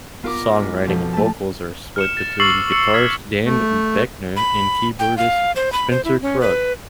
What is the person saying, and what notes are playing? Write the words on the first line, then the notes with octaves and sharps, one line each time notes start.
Songwriting and vocals are split between guitarist Dan Boeckner and keyboardist Spencer Krug.
B3 F4 A#4 D6
G#2
B2 F3 A4
A3 A5
F6 C#7 E7
A6
C#6 D6 E6 A6 C7 F#7
E6 C#7 F#7
F6 G#6 B6
A3
B5
G5
F5
C5
B5
C5
E4
C#4
B4